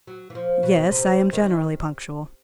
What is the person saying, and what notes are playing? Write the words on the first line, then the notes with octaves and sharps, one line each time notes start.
"Yes, I am generally punctual."
F#3
E3
F3
B2
C3
D#3